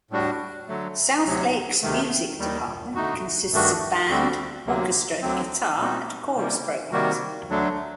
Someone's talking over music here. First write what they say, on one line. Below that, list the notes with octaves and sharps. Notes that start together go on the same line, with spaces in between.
South Lakes' music department consists of band, orchestra, guitar and chorus programs.
A2 G3 D4 F#4
D3 F#3 A3
D2 C3 F#3
D2 C3 D#3 A3
D#2 D#3 G3
D3 A3 D#4 F#4
G2 D#3 A3 D4 F#4
D2 D3 G3 C4 F#4
D2 C3 F#3 A#3
D2 D3 F#3 C4
A#2 G3 C4 D#4 F#4
C3 G3 A#3
C3 D#3 G3 A#3 F#4
D2 D3 F#3 A3 D4